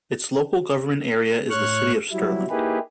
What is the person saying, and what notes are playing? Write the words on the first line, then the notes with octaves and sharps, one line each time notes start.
Its local government area is the City of Stirling.
A2 C#5 C#6 F6 F#6
F#3 G3 E4
A#3 D#4 E4 G4 G#4 B4